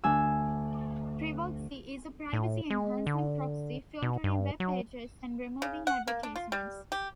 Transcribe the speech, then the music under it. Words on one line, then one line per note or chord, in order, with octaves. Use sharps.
Privoxy is a "privacy enhancing proxy", filtering web pages and removing advertisements.
D2 D4 G#5 E6
A2
G#3
D3
B2
G2
F#3
C#3
F#5
A#3
D4
F4
G3
G4